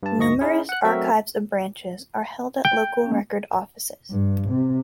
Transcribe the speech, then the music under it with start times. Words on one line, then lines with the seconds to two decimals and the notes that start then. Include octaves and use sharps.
Numerous archives of branches are held at local record offices.
0.03 G2 A5
0.19 D2 G#2 D#5 C#6 A#6
0.41 C#4 D#4 E4 G#4
0.69 F#5 F#6
0.84 F#3 A3 C4 F#4 A#4 E5
2.65 G5
3.02 A#3 C#4
4.11 G2
4.49 C3